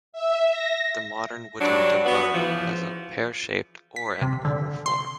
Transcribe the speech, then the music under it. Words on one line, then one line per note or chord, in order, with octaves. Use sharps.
The modern wooden dumbura has a pear-shaped or an oval form.
E5
A#6
G2 F#3 D4
B3 F#4
C#3 E3 F3
B6
C3
D3
C6